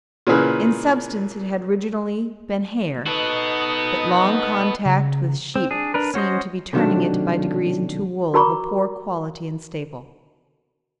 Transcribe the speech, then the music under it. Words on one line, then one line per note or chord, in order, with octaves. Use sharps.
In substance it had originally been hair, but long contact with sheep seemed to be turning it by degrees into wool of a poor quality and staple.
A#2 C#3 E3 G#4 B4 F6
B3 D#4 F#4 A4 B4
C#3
C4
D4 G#4
D4 A#4 B4
C#4 F#4 C5 D#5
B1 C3 D#3 F#3 A3 D4
F#4 A#4 A#5 B5 C#6 D6